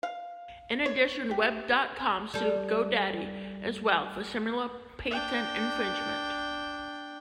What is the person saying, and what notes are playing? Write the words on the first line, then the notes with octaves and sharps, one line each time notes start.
In addition, Web dot com sued Go Daddy as well for similar patent infringement.
F5
C#5
G4
G3 A4
D4 G5